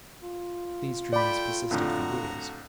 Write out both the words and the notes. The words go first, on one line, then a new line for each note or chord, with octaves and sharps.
These dreams persisted for years.
F4
A3 D5 G5 B5
F2 A2 D3 F#4 A#5